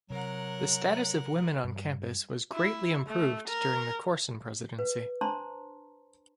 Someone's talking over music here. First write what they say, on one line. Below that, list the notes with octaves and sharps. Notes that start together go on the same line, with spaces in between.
The status of women on campus was greatly improved during the Corson presidency.
C3 F#3 A#4 F#5
G2
E4
A3
A#4
B4
D4 C5 A5 A#5 C6